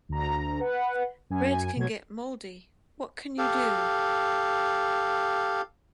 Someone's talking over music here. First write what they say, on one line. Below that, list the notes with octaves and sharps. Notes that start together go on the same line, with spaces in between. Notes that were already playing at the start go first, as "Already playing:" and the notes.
Bread can get moldy. What can you do?
D2 A#5
B4 F#5
F#2 G#5
B2 F#3 G#6
G4 A4 F5